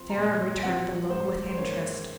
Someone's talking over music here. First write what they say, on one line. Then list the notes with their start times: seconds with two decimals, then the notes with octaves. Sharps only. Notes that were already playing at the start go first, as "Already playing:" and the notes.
Sara returned the look with interest.
Already playing: F3 C4 C6
0.10 A#5
0.16 A#2 C6
0.63 F3 C4 F#5
1.10 G#2 C5
1.49 C5
1.58 D#3 A#3 C#4 C#5